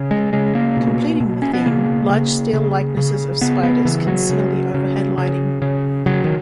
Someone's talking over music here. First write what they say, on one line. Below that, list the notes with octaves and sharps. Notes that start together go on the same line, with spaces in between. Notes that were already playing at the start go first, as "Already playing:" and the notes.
Completing the theme, large steel likenesses of spiders conceal the overhead lighting.
Already playing: C#3
G#3
C#3 G#3
A#3
B2
B2
C#4
B3
C#3 A#3
C#3
C#3
C#3
C#3 B3
B3
C#3 E3
F#3
C#3
C#3
C#3
C#3
C#3 F#3
D#3